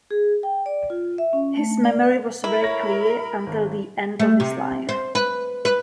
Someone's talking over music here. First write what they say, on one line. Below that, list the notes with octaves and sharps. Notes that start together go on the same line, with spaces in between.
His memory was very clear until the end of his life.
G#4
G5
D5
F4
E5
C#4
A3
D5
B4
E4 A#4 B5
C#5 A#6
G#1
A3
C3
C5
B4
B4